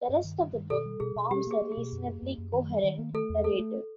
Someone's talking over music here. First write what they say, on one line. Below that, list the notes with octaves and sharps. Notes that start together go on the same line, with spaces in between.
The rest of the book forms a reasonably coherent narrative.
G2
D#3
G2
D#3
B2 A4
G3
B2 G#4
B2
G3 G4
A#3 G#4
A#3
G#4
B2
F#2
A#3
F#2
F#2
D#3
G3
D#3
A#3
A3 A4
E2
A3 A4
A3